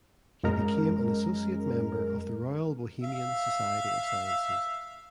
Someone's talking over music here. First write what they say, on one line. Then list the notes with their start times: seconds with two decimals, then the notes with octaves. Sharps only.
He became an associate member of the Royal Bohemian Society of Sciences.
0.43 F#2 G#3 A#4
3.03 E5 F5